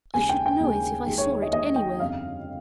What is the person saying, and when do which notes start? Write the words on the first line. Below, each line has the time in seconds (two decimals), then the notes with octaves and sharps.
I should know it if I saw it anywhere.
0.14 D#2 C#3 G#3 G#5
0.29 G5
0.46 G5
0.60 D#2 C#3 G#3
1.07 D#2 D#3 G#3
1.18 C#5
1.31 C#5
1.42 D#5
1.53 D#2 D#3 G#3 D#5
1.76 G5
2.00 G1 F2 C#3 G3 F5